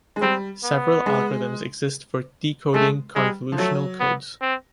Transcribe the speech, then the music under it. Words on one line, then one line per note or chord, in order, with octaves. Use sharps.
Several algorithms exist for decoding convolutional codes.
G#3
G3 C4
B3
G#3
G#3 A3
G3 G#3
F3
F#3 A3
B3
C4